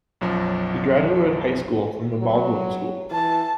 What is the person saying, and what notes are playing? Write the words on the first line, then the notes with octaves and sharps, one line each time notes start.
He graduated high school from the Baldwin School.
B1 F#2 F3 F#3
F#3
E3 A5